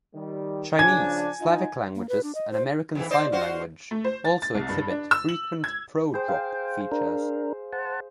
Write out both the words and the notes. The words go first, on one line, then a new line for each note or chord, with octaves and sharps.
Chinese, Slavic languages, and American Sign Language also exhibit frequent pro-drop features.
D#3 G3
C#3 F3 D4 G#5 G#6
D#4 F4
A#3
B4
D4
D#5
C5
F2 G#2 E3
C5 D5 D#5
F4 F#4 C5
A3
C5
A6
A6
C2
G2
D4
E6
F#7
G#6
G#4 C5 G5
F5
D4 A#4
C5 F#5 A5